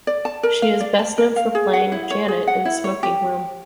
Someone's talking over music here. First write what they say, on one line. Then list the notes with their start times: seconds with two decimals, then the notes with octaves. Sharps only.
She is best known for playing Janet in "The Smoking Room".
0.07 D5
0.25 A5
0.43 A#4
0.62 F5
0.80 D5
0.99 A5
1.18 A#4
1.36 F5
1.55 G#4
1.73 F#5
1.92 E4
2.11 C#5
2.28 G#4
2.47 F#5
2.65 E4
2.84 C#5
3.03 G4